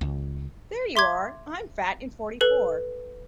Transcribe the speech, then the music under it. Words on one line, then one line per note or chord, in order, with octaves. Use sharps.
There you are, I’m fat and forty-four.
C#2
E5 C6 D6 G#6
A4 B4